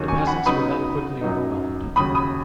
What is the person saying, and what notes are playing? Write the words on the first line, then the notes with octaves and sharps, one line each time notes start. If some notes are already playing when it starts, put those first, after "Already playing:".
The peasants were then quickly overwhelmed.
Already playing: D#2 D#3 F#3 C#4
G#5 C#6
F#5 B5
C#3 F#3 B3 D#4 B5 D#6
F#2 F#3 D#4
D#2 C#3 F#3 B5 D#6
B5 D#6